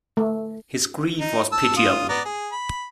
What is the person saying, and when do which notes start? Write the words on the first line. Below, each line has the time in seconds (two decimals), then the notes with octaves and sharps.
His grief was pitiable.
0.17 A3
1.20 D#4
1.52 A5 E6
1.77 F4 D#6
2.09 B3 D5 A#5
2.25 G#4
2.52 B5